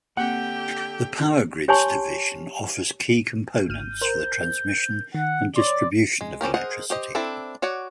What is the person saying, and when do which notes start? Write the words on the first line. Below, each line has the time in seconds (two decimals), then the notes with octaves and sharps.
The Power Grids division offers key components for the transmission and distribution of electricity.
0.17 D3 A#3 C4 G4 F#5 G5
1.68 G4 C#5 G#5 A5 C6 C#6
3.69 G#1 F6 G6 D#7
4.01 A#4 C5
5.15 D#3 F#5
5.56 C#5 D5 C6
6.21 G#3
6.41 C4 C#4 G4 A#4
6.54 G#4 A#4 C5 D#5 F#5
6.90 G4 C5 D#5
7.15 C4 D4 E4 A4
7.62 F#4 C#5 D5 F#5